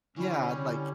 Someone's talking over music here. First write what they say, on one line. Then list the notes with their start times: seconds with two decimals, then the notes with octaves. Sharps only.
yeah, and, like
0.16 D3 G3 C#4 E4